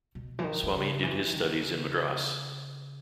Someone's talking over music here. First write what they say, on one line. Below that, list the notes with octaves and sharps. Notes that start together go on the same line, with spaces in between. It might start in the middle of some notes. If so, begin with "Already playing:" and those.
Swamy did his studies in Madras.
B2
E3
D#3
D#3
C#3
E3
D#3
C#3